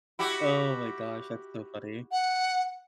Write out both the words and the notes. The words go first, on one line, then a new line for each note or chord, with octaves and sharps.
Oh my gosh, that's so funny.
E4 F#4 G4
F#5